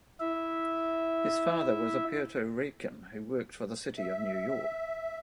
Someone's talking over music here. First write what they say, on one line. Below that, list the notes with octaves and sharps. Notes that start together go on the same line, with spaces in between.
His father was a Puerto Rican who worked for the City of New York.
E4 E5
E5